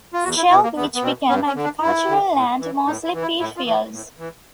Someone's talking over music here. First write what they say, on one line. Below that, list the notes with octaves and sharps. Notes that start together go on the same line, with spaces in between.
Shell Beach became agricultural land, mostly pea fields.
F4
E2 F#4
E4
B2 E4
A#3
E2 B3
B3
B2 C4
G2 C#4
C#4
D3
D4
G2 E4
D3
A2
E3
A2 D#4
E4
E3
E4
A2 E4
F4
E3
A2
E3